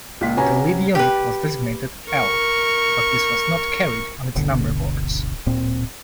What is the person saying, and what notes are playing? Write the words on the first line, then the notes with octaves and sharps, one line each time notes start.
The lead unit was designated 'L', but this was not carried on its numberboards.
C#2 A#2 F4 B6
C3 C#4 F#4 B4 G#5 A#5
G4 B4
A#4 C#6
D1 G1 B2 D3
D1 A#2 C4